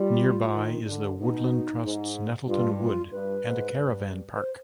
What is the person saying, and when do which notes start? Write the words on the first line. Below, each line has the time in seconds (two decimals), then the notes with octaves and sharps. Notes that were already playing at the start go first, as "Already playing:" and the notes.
Nearby is the Woodland Trust's Nettleton Wood, and a caravan park.
Already playing: G3 F4
0.54 D#3
0.87 D3
1.19 B2 D#4
1.83 G#2
2.47 G2 F4
2.80 F4
3.12 G2 B4
3.44 G#2
3.76 G2
4.36 B4
4.40 C5